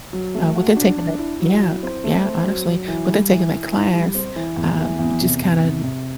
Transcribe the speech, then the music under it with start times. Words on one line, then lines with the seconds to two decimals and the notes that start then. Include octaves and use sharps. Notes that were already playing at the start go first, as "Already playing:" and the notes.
uh, within taking that yeah, yeah, honestly. Within taking that class, uh, just kinda
0.13 F#3
0.35 A3
0.55 F#4
0.77 D4
0.98 D4
1.19 E4
1.40 F#3
1.61 E4
1.83 C4
2.04 A3
2.25 C4
2.46 F#3
2.66 F#3
2.88 E3
3.09 G3
3.30 E3
3.52 E3
3.73 E4
3.93 G3
4.15 C4
4.36 E3
4.57 E2
4.79 E3
4.99 E2
5.21 C3
5.41 E2
5.63 C3
5.84 C3